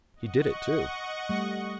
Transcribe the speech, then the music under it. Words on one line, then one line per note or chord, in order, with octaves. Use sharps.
He did it too.
D#5 F#5 C#6
G3 A3